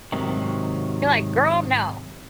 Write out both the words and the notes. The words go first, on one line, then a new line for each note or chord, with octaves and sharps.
You're, like, "Girl, no."
G#2 C3 D#3 F#3